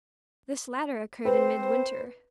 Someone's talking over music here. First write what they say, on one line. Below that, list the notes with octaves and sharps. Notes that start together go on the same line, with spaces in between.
This latter occurred in midwinter.
C4 B4 C5